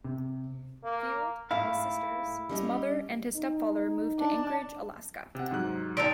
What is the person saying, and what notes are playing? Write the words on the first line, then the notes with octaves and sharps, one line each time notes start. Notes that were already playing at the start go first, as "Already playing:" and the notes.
Field, his sisters, his mother and his stepfather moved to Anchorage, Alaska.
C3
A#3
G#2 A3 E4 F5
G3 C#4 D#5
D#4
D4 A5
C3 F#5
G#2 F#3 F#6
D3 D#4 G5 A5 C6 E6 D7